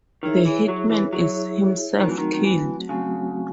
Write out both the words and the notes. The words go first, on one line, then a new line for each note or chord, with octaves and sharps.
The hitman is himself killed.
D#3 E4 G#4 C#5 E5
E3
F#3
E3
F#3 E4 G#4 C#5 E5
D#3 F#3 A3 C4 F#4
E3
D#3
D#3
E3
C#3 F#3 A3 C4 F#4